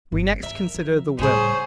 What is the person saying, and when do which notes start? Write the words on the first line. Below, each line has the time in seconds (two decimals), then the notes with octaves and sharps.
We next consider the will.
0.12 G1
0.43 D#3 A#4 E5
0.75 F3
1.19 A2 C#3 G3 B3 G#4 C5